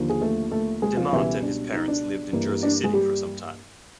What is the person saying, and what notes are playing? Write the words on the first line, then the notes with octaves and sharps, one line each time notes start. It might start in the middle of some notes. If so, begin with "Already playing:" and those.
Dimant and his parents lived in Jersey City for some time.
Already playing: D#2 D3 F3
G#4
A3 A4
A3 A4
G#3 G#4
F3 F4
C#2 B2 E3 G3 E4
D4
D#4
D4
G2 E3 G3 A#3
D4
G#3 G#4
G3 G4